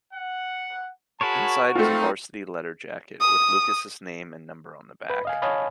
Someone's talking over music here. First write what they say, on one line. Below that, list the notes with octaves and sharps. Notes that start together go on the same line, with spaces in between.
Inside is a varsity letter jacket, with Lucas' name and number on the back.
F#5
F#4 G#4 A#4 C#5 A5 B5
A3 C4 D#4 F4
D#6
B4 B5
D#5 F5 G#5
C#5 D#5 F5 G#5 A5 B5